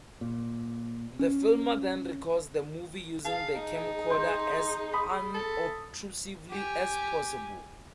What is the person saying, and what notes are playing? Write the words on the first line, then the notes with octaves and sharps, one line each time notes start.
The filmer then records the movie using the camcorder as unobtrusively as possible.
A#2
C#4
G#4 F5 A5
D#4
C5
B5 D#6
A4
G4 G#5